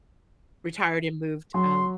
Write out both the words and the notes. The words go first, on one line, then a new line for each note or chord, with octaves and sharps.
retired and moved, um,
F#3 C6